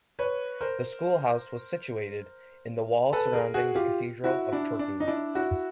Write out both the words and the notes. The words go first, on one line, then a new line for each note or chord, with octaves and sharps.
The schoolhouse was situated in the wall surrounding the Cathedral of Turku.
B4 C#5
A#4 C5
A4 B4
G#4 A#4
F#4 G#4
F4 G4
E4 F#4
D4 E4
D4
D#4
D4 E4
E4 F#4